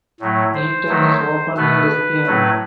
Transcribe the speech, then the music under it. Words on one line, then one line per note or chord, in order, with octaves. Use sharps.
Eaton is openly lesbian.
A2 F#3 A3
C5
D#3 F#3 A3
B2 A3 B4
A2 F#3 A3